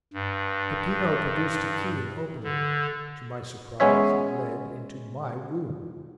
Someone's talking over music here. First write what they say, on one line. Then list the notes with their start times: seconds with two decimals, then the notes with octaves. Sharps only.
Peppino produced a key and opened it; to my surprise it led into my room.
0.14 G2
2.44 D3
3.80 G#3 B3 C#4 C#5 E5